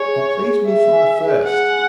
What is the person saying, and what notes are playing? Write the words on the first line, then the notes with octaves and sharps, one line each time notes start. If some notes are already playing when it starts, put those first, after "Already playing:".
He pleased me from the first.
Already playing: G#4 C#5 G#5
E5
G#4
G#4 E5
G#5
G#4
G#4 F#5
G#5